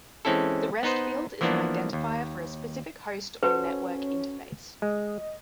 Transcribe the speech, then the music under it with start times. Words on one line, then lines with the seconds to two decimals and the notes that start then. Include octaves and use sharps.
The rest field is an identifier for a specific host or network interface.
0.25 E3 G#3 C4 C#4 E4 A4
0.83 B3 D#4 B4 C5
1.41 E3 F3 A#3 B3 D4
1.93 D#2
3.43 C#4 F#4 A4 B4 C5
4.82 G#3 D#5